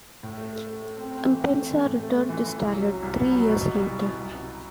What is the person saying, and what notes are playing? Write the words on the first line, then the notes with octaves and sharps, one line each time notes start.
Mpenza returned to Standard three years later.
A2
A3
A3
A3
A3
C4
C4
E3
C4
A3
E3
A2
A3
A3
E3
E3
C2
F#3
F#3
C2
B3
F#3
B2
B2
C2
C2
B2
C2
B2